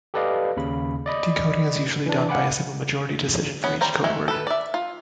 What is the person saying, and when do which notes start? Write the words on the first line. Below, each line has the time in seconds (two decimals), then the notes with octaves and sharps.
Decoding is usually done by a simple majority decision for each code word.
0.14 G4 A4 B4 D5 D#5 F5
0.57 D#2 C#3 B5
1.06 D5 D#5 B5
2.06 E3 D4
2.29 F5 F#5 G#5 B5 D6
3.64 B3 C#4
3.81 G3 C5 A#5
4.04 G#3 A3
4.28 A4 B4
4.47 D5 E5
4.74 F4